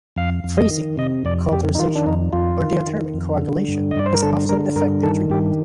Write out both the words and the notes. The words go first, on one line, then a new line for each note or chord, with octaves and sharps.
Freezing, cauterization, or diathermy coagulation is often effective treatment.
F2 F5
F2
D#5
D#3
C3 D#5
F2 D5
F2 G4
D#4
D#3 F4
D4
F2 D#4
F2 F4
D#3
D#3
F2
D3
G2
D#5
G2 D5
C5
A#4
D3 A4
D3 A#4
G2 A#4
D#3 A4
G2 G4